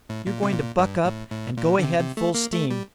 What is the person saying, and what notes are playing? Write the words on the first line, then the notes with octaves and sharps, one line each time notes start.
You're going to buck up and go ahead full steam.
A2
A#2
C3
A#2
G2
A2
A2
A#2
D3
C3
C3
A3
A#3
A3
G3